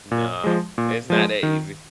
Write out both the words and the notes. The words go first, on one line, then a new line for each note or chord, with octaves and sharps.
No, it's not that easy.
A#2
F3 G#3
A#2
F3 G#3
D#3